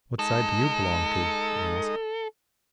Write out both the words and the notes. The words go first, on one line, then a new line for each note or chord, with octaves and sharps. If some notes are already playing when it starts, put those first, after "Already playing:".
"What side do you belong to?" I asked.
G#3 D#4 A4 D#5